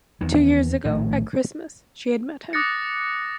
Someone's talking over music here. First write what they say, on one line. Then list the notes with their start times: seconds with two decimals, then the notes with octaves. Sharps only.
Two years ago, at Christmas, she had met him.
0.21 E2 D#3
0.85 A#1 A2 D#3 A3
2.53 D6 D#6 F#6 A6 A#6 C#7